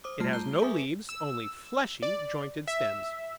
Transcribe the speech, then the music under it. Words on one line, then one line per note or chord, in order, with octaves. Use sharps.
It has no leaves, only fleshy, jointed stems.
C5 D6 D#6
G3 A3 F4 A5 F6 C7
A5 A#5 G6 C7 G7
G#4 B4 E5 G#5 D6 D#6
E6
D5
E5